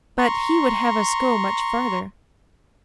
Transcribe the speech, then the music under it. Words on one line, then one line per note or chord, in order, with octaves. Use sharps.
But he would have us go much further.
A#5 C6 C#6